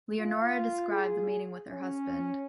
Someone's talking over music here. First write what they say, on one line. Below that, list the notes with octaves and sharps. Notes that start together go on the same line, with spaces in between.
Leonora described the meeting with her husband.
F4
G#4
C#4